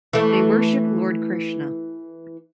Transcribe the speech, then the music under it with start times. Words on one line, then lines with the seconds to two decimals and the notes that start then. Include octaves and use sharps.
They worship Lord Krishna.
0.13 E3 A3